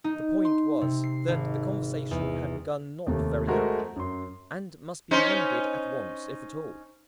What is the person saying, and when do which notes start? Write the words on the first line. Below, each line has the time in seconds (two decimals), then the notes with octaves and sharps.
The point was, that the conversation had begun not very happily, and must be mended at once if at all.
0.04 D#4
0.45 C6
0.81 C3
1.04 C7
1.28 G#1
2.11 E2
3.07 D#2 C3 A3
3.47 G#3 A3 F#4 A#4 C5
3.96 F#2 C6
5.11 C#4 D#4 C5